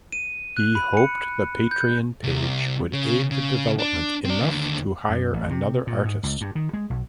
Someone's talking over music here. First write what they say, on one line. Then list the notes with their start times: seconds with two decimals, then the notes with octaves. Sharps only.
He hoped the Patreon page would aid the development enough to hire another artist.
0.12 D#7
0.57 F#6
0.75 B5
0.97 C#7
1.71 G6
2.24 C2
2.93 C#3
3.31 C#3
3.79 D4
4.25 C4 D5
4.42 D#2 D3
5.09 F#2
5.33 A1
5.50 C3
5.87 A#2
6.05 G#2
6.23 C#2
6.41 G2
6.55 D#3
6.73 G#3
6.90 B1